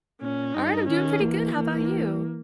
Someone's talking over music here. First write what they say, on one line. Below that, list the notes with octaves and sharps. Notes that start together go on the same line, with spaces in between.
Alright, I'm doing pretty good, how 'bout you?
A#2 C#4
G2 D#4
D#3 C#4
E3 A#3
E3